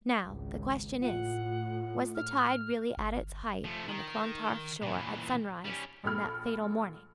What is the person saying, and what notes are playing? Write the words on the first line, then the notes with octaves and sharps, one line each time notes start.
Now, the question is, was the tide really at its height on the Clontarf shore at sunrise on that fatal morning?
G#1 C#2
A2 F4 F#5
F6
G1
F3 A3
D#3
A#2 E3
G3 C#4
A#1 A4 B5 F6